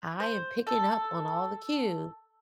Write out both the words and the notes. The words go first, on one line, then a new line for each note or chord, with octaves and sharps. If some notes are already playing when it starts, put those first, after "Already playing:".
I am picking up on all the cue.
C5
A4